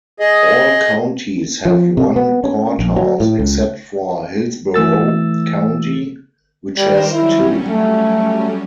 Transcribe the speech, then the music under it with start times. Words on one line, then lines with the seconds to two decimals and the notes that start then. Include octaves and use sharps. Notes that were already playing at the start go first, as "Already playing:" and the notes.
All counties have one courthouse except for Hillsborough County which has two.
0.20 G#4 D#5
1.65 F3
1.97 C3
2.16 B3
2.44 C#4
2.79 A#1
2.96 F#3
3.20 A2
3.39 C#2
4.74 E3 A3 E6 A6
6.77 D#3 G3 A#4 C5
7.12 F#3 G3 C#4 E4
7.68 A3